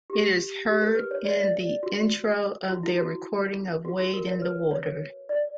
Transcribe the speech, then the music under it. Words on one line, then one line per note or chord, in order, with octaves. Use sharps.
It is heard in the intro of their recording of "Wade in the Water".
G4
G4
A#4
B4
C#5
D5
E5
D5
F#4
F#4
E4
F#4
F#4
F#4
A#4
C#5
B4
C#5
D5